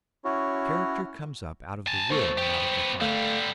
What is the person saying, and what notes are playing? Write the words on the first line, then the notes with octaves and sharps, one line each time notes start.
Character comes up out of the will and out of the heart.
C#4 E4 F#4 C#5
G#5 A5
B2 A3 C5 C#6 A6
B3 G4
D3 G3 A3 A4 F5